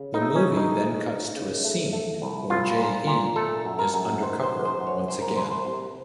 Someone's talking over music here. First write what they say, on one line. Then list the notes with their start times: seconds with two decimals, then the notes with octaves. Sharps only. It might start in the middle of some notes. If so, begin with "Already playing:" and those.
The movie then cuts to a scene where Jae-in is undercover once again.
Already playing: C#3
0.14 D#4
0.22 A3
0.36 C#4
0.50 C#3
0.57 D#4
0.79 A3
1.08 C#2
1.36 C#3
1.64 A3
1.93 A3
2.22 C2
2.50 C2 F4
2.79 A#2
3.07 A#2
3.36 A3 A4
3.65 F#2
3.79 A#4
3.94 F#2
4.22 D#3 C5
4.43 C5
4.51 F#2
4.65 C5
4.80 F#2
4.87 C#5
5.08 C2 C5
5.21 A#4
5.36 C2 C5
5.51 C5
5.66 C3